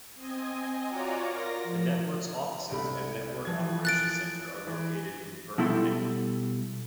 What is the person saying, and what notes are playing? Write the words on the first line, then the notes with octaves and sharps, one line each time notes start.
The network's offices and network operations center are located in Birmingham.
C4 D#5 G#5
F4 F#4 C#5 D5 A#5 D6
F4 A#4 A#6
F3
C2 A3 B5
E3 F3 G#6
F#6 A6 D7
E3
B2 G3 E4 A4 B5 C6